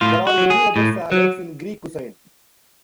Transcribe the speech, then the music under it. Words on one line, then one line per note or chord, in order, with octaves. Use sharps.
There are many other salads in Greek cuisine.
A2 F4
F#4
F#3
G#4
A2
F#3